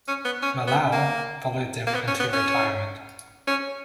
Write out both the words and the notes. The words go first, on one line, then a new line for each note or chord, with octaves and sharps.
Malou followed them into retirement.
C#4
B3
C#4
B3
A#3
A#3
B3
C#4
B3
C#4
C#4